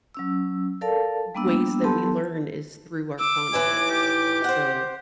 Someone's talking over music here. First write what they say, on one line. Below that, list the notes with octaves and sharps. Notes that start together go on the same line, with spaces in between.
ways that we learn is through our conflicts, so,
F#3 C#4 E6
A4 A#4 D5 F5 A5
G3 A#3 B3 D4 E6
F#3 B3 G4 A4 A5 C6
D6 E6
D#2 A2 E3 G#5
G4
C5 F#5